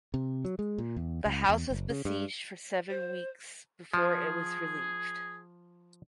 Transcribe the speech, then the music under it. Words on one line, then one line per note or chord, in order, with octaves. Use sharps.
The house was besieged for seven weeks before it was relieved.
C3
F#3
G#3
A#2
E2
C#2
E2
F#1
C#3
G2
C5
F3 G#4